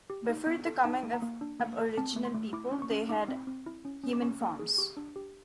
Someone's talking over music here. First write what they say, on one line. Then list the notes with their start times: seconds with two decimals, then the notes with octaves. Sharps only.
Before the coming of Aboriginal people they had human forms.
0.10 G4
0.29 D#4
0.47 B3
0.66 A4
0.85 D#4 A5
1.03 A#3
1.13 A#5
1.22 A#3
1.41 D4
1.60 A#3
1.78 A4
1.98 C4 A5
2.16 A3
2.25 C6
2.34 A3
2.53 E4 D6
2.72 C#4
2.82 C#6
2.91 C#4
3.09 D#4 D6
3.28 C4
3.47 C4
3.66 E4
3.85 C#4
4.03 C#4
4.13 D6
4.22 C#4 C#6
4.41 A#3
4.59 G#4
4.78 G4 C#6
4.97 D4
5.16 G4